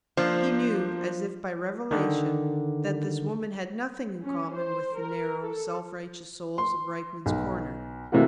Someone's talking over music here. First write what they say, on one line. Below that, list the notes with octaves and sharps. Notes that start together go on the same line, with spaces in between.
He knew, as if by revelation, that this woman had nothing in common with the narrow, self-righteous souls of Rykman's Corner.
F3 A#3 D4 C5
D3 D#3
C#4
C5
A#4
A4
C6
B1
C3 E3 A3 A#3 F#4